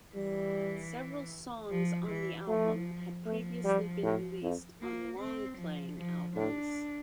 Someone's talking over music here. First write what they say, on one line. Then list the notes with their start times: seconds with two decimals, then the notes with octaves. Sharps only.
Several songs on the album had previously been released on long-playing albums.
0.15 E3 G3
1.70 F3
2.09 E3
2.47 F3 A3
3.26 F3 A3
3.65 G3
4.03 A2
4.42 F2
4.82 A#3
5.20 C4
5.58 F3
5.98 F3
6.36 A2 D4